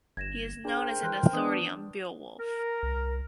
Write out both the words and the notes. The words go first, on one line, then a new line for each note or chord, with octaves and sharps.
He is known as an authority on Beowulf.
G1 G#6 A#6 E7
D4 G#4 A#4 C5 G5
E3 C6 F#6
E3 B3 D4 D#6
A#4
C2